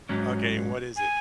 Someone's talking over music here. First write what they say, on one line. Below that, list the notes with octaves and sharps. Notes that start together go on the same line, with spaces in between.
Okay, and what is it?
G#2 F#3 C#4
G#5